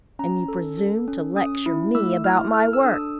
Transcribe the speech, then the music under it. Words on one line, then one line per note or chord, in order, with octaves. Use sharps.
And you presume to lecture me about my work!
C#4 A#5
A4
A4
C#4
C#4 D#6
E4
A3 E6
E4 F6
A4 F6
E6
D4 D#6
E6